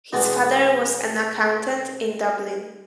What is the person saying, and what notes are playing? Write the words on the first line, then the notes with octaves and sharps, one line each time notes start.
His father was an accountant in Dublin.
E2 B2 G#3 B3 C4 D4